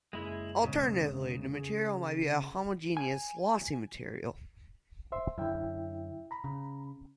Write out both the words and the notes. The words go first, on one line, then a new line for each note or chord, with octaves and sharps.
Alternatively the material may be a homogeneous "lossy" material.
F#1 G#3 E4 G#4
E1 G#2 C#3
G#4
G#5
C5 E5 C6
F#2 D3 E4 E5 G5
A#5 B5
C#3